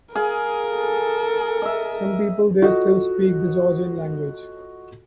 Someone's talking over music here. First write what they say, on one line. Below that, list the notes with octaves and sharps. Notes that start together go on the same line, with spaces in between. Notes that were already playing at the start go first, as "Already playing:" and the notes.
Some people there still speak the Georgian language.
G#4 A#4 F5
A4
D#5 E5
F4 F#4 A4 D#5